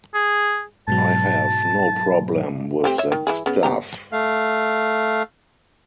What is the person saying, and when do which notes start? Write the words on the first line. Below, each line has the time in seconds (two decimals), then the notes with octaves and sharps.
I have no problem with that stuff.
0.15 G#4
0.88 G#2 B2 F#3 A5
2.84 A3 C4 G4
2.98 C#5 E5
3.12 D#3
3.27 E3 E4 G#4
3.46 C#3 B3
3.63 B3 G4 A#5
4.12 A3 F5